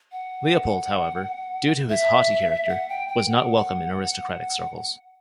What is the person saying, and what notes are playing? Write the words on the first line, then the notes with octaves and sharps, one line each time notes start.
Leopold, however, due to his "haughty" character, was not welcome in aristocratic circles.
F#5
E5
F#5
G5
G5
F#5